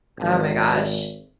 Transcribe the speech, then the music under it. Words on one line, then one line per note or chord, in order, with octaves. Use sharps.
Oh my gosh.
G#1